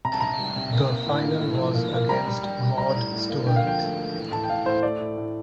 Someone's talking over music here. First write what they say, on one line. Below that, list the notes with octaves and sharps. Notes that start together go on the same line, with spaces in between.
The final was against Maud Stuart.
C3 A#5
A5
C3 A#5
G3
C3
A#3
A#3
A2
A#3
A2
F3
A#3
A#3
G3 A#5
G3
G3
G3
G3 A#5
A2
A2
A#3
D3 G5
F5
F3 G5
A3
A3
E3
A2 A5
G5
A2 F5
A2 C5
A3 D5
A2
A2